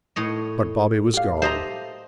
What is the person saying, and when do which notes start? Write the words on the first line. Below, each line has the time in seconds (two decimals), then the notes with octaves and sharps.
But Bobby was gone.
0.16 A2 C#5 D#5
1.13 G4 F5
1.42 G4 A4 C5 D#5 E5 A#5